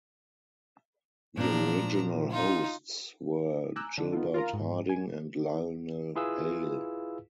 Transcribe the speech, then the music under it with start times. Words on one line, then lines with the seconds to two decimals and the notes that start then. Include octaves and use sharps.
The original hosts were Gilbert Harding and Lionel Hale.
1.37 A#2 F3 D4 A#5
2.31 D#4 F4
3.76 G#5 A#5 D6 E6 F#6 G6
3.97 D3 D4
4.12 B3 D#4 F4 A4
4.34 F4 A#4 A#5
4.53 G#2
4.89 G#5
6.16 E4 F4 G#4 B4 F5 E6